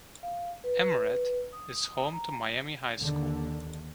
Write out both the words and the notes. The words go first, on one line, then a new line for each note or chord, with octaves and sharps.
Amoret is home to Miami High School.
F5
B4
D#6
A#5
D#2 D3